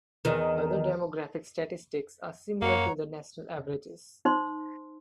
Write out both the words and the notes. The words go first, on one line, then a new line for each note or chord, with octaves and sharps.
Other demographic statistics are similar to the national averages.
E2 D#3
F#2 A#3 C#5 F#5 A#5
D#4 C5 C6